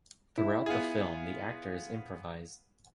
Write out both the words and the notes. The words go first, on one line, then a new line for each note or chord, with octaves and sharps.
Throughout the film the actors improvised.
E4
B3 F4 G#4